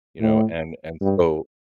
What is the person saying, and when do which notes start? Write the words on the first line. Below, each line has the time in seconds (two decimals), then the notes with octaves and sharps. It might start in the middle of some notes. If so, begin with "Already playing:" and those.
You know, and and so
0.20 A2
1.01 G2